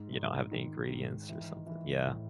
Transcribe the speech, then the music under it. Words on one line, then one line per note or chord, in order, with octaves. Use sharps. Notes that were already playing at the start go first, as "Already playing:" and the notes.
You don't have the ingredients or something. Yeah.
Already playing: G#2
G#2
D#3
G#2
E3
E3
A2